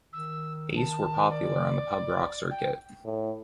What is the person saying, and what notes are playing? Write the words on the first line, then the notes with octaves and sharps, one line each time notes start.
Ace were popular on the pub rock circuit.
D#3 E6
A5
D5
G5
A2